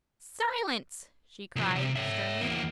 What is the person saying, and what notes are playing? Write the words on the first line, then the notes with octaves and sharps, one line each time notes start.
"Silence!" she cried, sternly.
C2 F3
C3
C#5 E5
E2 A#3